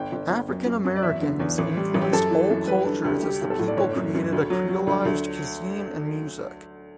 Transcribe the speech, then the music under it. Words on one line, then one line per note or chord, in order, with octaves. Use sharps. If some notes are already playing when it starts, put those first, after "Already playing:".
African Americans influenced all cultures as the people created a creolized cuisine and music.
Already playing: G1 G5
G1
G1
F#2
F#2
F#2
D5
E2 E5
D3
E2
A1
G3
A1
G4
F#2 A4
E3
F#2
G3 B4
D3 A4
D2 G4
G3 G4
B1
A4
A2
D5
G1 C#5
F#2
F#2
D2
F#3
F#3
D2
D2